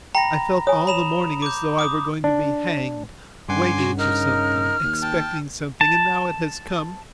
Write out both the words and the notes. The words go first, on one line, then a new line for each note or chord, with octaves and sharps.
I felt all the morning as though I were going to be hanged, waiting for something, expecting something, and now it has come!
G5 A#5 B5 A#6
C#5 G#5 D#6
B5 E7 F7
D6 G6
D6 D#6
D4
G2 C#3 F#5 G#5 C6 D6
F#4
D#4 A#4 F6
D#2
G5 A5
A5